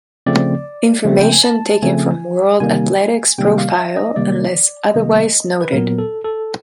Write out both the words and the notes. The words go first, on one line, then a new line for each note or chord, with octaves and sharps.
Information taken from World Athletics profile unless otherwise noted.
C#3 F3 A3 C4 D5
C#3 F3 A3 C4
G5
G#5
A5
C#3 F3 A3 C4 G#5
C3 D#3 G3 A#3 G#5
C3 D#3 G3 A#3 G5
F5
E5
D#5
C3 D#3 G3 A#3 D5
C3 D#3 G3 A#3 D#5
B4
A#2 F#3 B3 A#4
A4
A4